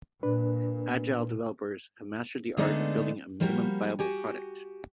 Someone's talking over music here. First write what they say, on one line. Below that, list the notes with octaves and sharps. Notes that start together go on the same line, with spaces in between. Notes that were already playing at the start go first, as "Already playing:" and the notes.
Agile developers have mastered the art of building a minimum viable product.
A#2 D4 B4
D3 G#3 A3 B3 D4 D#4
F3 G3 A#3 F#4 G4
F#4 G4 G#5